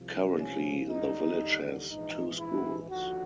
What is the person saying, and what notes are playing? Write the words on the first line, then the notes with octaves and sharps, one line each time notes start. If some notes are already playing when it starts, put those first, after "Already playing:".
Currently the village has two schools.
Already playing: C2 C3 F3
C#4
D#2 D3 G3 D#4
A#1 G#2 E3 D#4
E4
D#2 D3 F3 F#4